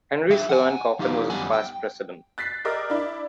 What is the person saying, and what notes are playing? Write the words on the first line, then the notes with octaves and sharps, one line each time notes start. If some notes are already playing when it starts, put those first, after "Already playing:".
Henry Sloane Coffin was a past president.
F3 E5 G5
F#5 G#5
F3 D#4 G4 F5
F#2 G3 B3 F#5 G#5
G5
F#6 A6 B6 C7
G4 A#4 D5 D#5 D6 E6
D4 E4